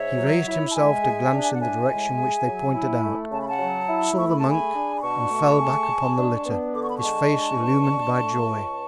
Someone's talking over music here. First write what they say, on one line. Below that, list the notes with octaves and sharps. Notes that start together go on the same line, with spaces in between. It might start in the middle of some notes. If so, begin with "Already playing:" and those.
He raised himself to glance in the direction which they pointed out, saw the monk, and fell back upon the litter, his face illumined by joy.
Already playing: G#2 C#5 E5
F#3
E4
A5
G#3 E5 G#5
G#4
D4
F#5
A2 E5 G#5
G#3
G#4
F#3
E4
A3
C#3 A5
B5
F#5 A5
F#3
E4
A3 C#6
B5
A5
G#4 G#5 B5
D4
B5
B2 A5 C#6
A3
G#4
G#3
D4
B3
D3 D6
C#6
B5
A5 C#6
G#3
D4
B2
D4
A3
C#2